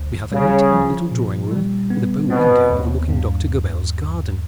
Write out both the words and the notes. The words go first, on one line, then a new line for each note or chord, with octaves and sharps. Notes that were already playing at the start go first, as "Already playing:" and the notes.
We have a neat little drawing-room with a bow window overlooking Dr. Gabell's garden.
Already playing: D2
C#3 G3
F3
A#2
G3
B3
B2 C4
D#2
G2